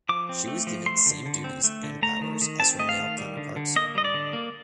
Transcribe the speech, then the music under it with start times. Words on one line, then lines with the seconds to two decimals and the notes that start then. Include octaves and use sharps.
She was given same duties and powers as her male counterparts.
0.09 F3 D6
0.29 C4
0.48 A3
0.67 F3
0.86 A3 C6
1.06 D3
1.26 D3
1.44 C4
1.64 A3
1.83 D3
2.03 A3 A#5
2.21 D#3
2.41 D#3
2.60 C4 A5
2.79 A3 D#5
2.89 F5
2.99 D#3
3.18 G3
3.37 D3
3.56 D3
3.76 A#3 D#5
3.95 G3 D#5
4.04 D5
4.14 D3
4.33 A#3